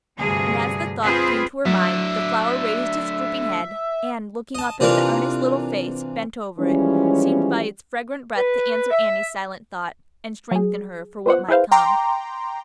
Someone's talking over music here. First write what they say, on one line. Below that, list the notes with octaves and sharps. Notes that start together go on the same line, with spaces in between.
And as the thought came to her mind, the flower raised its drooping head, and, looking up into the earnest little face bent over it, seemed by its fragrant breath to answer Annie's silent thought, and strengthen her for what might come.
D2 G2 C3 G#4
C4 F4 G#4 B4 C5
A2 D3 F#3 E5
D#5 A5
C3 E3 D4 F4 A#4 B4
E3 F3 G3 G#3 C#4
B4
E5
F#3 G#4
B3 F4 C5 F#5
E4 G#4 B4 C5 F5
G5 A#5 C6 D6